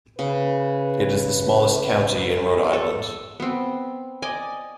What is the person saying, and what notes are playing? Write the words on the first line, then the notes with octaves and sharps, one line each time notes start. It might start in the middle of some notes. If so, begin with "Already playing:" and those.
It is the smallest county in Rhode Island.
C#3 B4
A4
B3 C4
D5 D#5 G#5